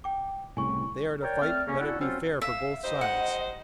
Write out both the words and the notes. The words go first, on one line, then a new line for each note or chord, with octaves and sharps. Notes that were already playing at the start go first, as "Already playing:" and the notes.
If they are to fight, let it be fair for both sides.
G5 D6
C2 A2 C#3 G#5 C#6
A#4 C#5 D5 G5
A3 C4 D5 F6
C#3 A#3 C#4
D4 E4 F#4 A4 F#5
F#3 C4 C#4 F4 A4 C5
E5 F5
G3 D#4 C5 D#5
F#5